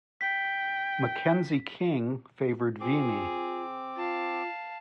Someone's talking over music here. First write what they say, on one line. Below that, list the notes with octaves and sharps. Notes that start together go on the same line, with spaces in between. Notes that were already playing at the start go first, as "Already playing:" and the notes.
Mackenzie King favoured Vimy.
G5 B6
C4 F4 G#4 D6
F4 F5 A5